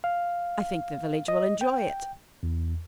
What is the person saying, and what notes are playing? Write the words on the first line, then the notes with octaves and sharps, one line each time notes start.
"I think the village will enjoy it."
F5
D#5
G5
E2